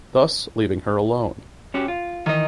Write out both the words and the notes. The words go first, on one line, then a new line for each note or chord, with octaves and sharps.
Thus leaving her alone.
C#4 F#4 G4
F4
D#3 E3 D#5